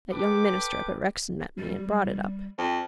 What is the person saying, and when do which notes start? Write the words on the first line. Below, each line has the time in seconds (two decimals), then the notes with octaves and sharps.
That young minister up at Rexton met me and brought it up.
0.11 A4 B4 G5 D6
1.58 G3
2.58 F2